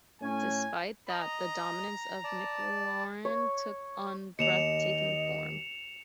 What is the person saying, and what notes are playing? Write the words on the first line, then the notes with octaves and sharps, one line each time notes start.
Despite that, the dominance of McLaren took on breath-taking form.
A2 A3 C#4 G#5
D#5 A#5
D5 A5
C#5
D#2 D#5 C#7 E7 F7